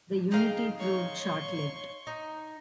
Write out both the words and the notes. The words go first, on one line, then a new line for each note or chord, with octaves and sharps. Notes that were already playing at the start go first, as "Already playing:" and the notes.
The unity proved short-lived.
D#4 G#4 F5 G5
C#5 C6 C#6
D#4